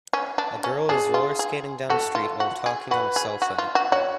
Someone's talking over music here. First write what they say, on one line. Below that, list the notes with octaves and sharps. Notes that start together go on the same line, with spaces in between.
A girl is rollerskating down a street while talking on a cellphone.
C#4
D4
C#4
D4 G#4
F4
G#4
F#4 A4
F4
F#4
G#4
F#4 B4
G#4
F#4
F4
F#4
F#4 C#5